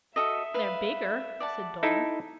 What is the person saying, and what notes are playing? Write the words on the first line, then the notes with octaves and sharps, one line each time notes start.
"They're bigger," said Dora.
F#4 A4 D#5 E5
B4 F5
D5 F#5 A5
D#4 E4 A4